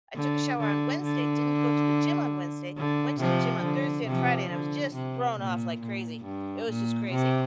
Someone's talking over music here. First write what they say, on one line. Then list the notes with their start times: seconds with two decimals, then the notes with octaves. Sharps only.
I took a shower on Wednesday, didn't go to the gym on Wednesday, went to the gym on Thursday and Friday, and I was just thrown off, like crazy. It was just crazy.
0.16 D3
0.60 D3
1.03 D3
2.77 D3
3.20 C3 F3
3.63 D3
4.07 C3 F3
4.51 D3
4.94 C3
5.38 A#2
5.81 A#2
6.25 G2
6.68 A#2
7.11 C3